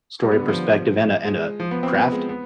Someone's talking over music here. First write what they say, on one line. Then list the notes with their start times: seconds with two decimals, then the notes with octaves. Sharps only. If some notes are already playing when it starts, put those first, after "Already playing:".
story perspective and a and a craft.
0.23 G3
0.31 B3
0.39 D3
0.48 F3
1.25 G#3
1.60 F3
1.71 B3
1.83 C4
1.94 B3
2.12 G#3
2.29 B3